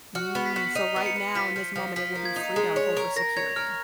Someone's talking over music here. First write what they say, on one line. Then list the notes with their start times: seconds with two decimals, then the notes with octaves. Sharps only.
Mm, so right now in this moment, it will be freedom over security.
0.15 F#4 F6
0.35 B3
0.46 B6
0.56 F#4
0.75 D#4 D#7
0.96 B3
1.06 C#7
1.16 B3
1.35 F3 B6
1.56 F3
1.76 F3
1.96 F3 B6
2.15 A#3
2.25 G#6
2.36 D#4
2.56 G#3
2.76 C#5
2.97 A#4
3.16 A#4 A#6
3.36 C#5 G#6
3.56 A#4 F6